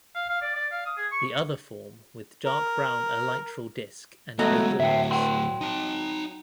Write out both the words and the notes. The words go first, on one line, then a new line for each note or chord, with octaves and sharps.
The other form with dark brown elytral disc and prothorax.
F5
F5
D5
D5
F5
D#6
G#4
C#6
A#4
F#3 G#3 A3 B3 D#5 A#5
D2 A2 E5 G5
F#5 G5 C6
D#4 A5